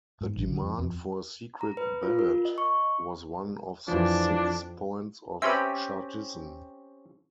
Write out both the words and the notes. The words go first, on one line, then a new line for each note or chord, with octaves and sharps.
The demand for a secret ballot was one of the six points of Chartism.
G#2
A1
D3
F2
F2
A#5
B4
F4
A#4
D#5
C#6
F2 E3 F3 D4
C4 C#4 G4 B4 C5 E5